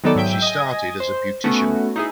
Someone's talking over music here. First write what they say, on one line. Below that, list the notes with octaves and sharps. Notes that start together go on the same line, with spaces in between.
She started as a beautician.
D#3 F#3 B3 D#4 A4 D5
G#2 F#3 E5 G5 G6
D#5 G#5
C5
A3 B3 C#4 F#4
D#4 E4 G#4